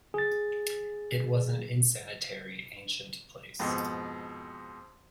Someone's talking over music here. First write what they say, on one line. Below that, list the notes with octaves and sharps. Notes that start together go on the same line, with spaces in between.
It was an insanitary, ancient place.
G#4 A6
F2 G#2 B2